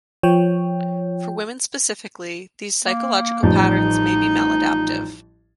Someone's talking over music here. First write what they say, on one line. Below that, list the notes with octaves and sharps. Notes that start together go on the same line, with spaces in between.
For women specifically, these psychological patterns may be maladaptive.
F3 C#5 G5
A#3
A1 F3 G3 D#4